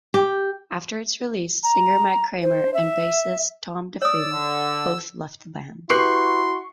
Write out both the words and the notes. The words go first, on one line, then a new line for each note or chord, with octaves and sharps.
After its release, singer Matt Kramer and bassist Tom Defile both left the band.
G4
A#5
C5
E5
C#5 D5 D#6 E6
D3
E4 F#4 G4 B4 C6 C#6 C7